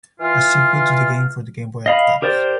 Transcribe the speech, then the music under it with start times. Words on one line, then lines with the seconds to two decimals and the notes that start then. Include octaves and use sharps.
A sequel to the game for the Game Boy Advance.
0.20 E3 F4 F6
1.86 D#5 F5 B5
2.22 G4 A#4 C5 D5